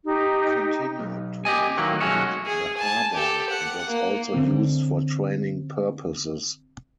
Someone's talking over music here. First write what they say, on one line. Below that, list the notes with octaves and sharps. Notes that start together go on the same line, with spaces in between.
It continued to defend the harbour and was also used for training purposes.
D#4 G4
B1
A#2 G4 D5 D#5 G#5
D#3 E3 F#3 A#3
B1 F#3 G#3 A3 C#4 F#4
G#4
G#5 A5
G4 A4
F#5
A#3
D3 C4